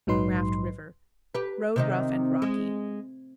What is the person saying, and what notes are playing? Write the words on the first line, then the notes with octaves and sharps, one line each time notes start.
Raft River.--Road rough and rocky.
A#1 G#2 F#3 D#4 B4 C6
G4 B4
C3 D#3 D#4
G#3